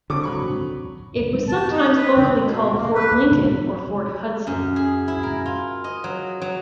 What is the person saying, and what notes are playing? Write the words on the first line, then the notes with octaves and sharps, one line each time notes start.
It was sometimes locally called Fort Lincoln or Fort Hudson.
D3 C4 A4 D6 D#6
F#3 B5 C#6
A5
D#4
B4
C4
B2
A#3
B4
F#2
G#4
E4
A#4
F4
D#5
F#3
F#3